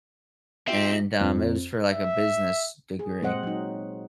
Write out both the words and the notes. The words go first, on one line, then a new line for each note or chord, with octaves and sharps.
and, um, it was for like a business degree,
C4 F4 G4 E5
F2
E5
G#4
A#2 G#3 C4 C5 D#5 F#5
F#3 D#4